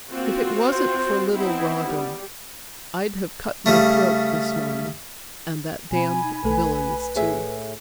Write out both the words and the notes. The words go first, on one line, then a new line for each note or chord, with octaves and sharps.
"If it wasn't for little Rawdon I'd have cut my throat this morning--and that damned villain's too."
A#3 C4 F4 F#4
C5
B3 C4 D#4 E4
G3
C#3 G3 A3
B2 C4 G#5 B5
D#4
B1 A3 A4 B4
A2 G#4 E5